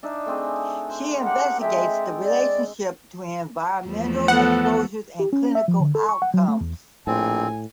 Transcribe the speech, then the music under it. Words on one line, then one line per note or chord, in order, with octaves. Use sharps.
She investigates the relationship between environmental exposures and clinical outcomes.
D4 D#4 E5
A3 C4 G#4
C5
G4 A#4 F#5
G#3 A4 E5 G5
D5
E2 F3 A3
B3 A4 F#5
G4
C#4
E5
F3
D3
A4
C#6
F#5
F#3
A3
E2
A#1 A2 C4 G#5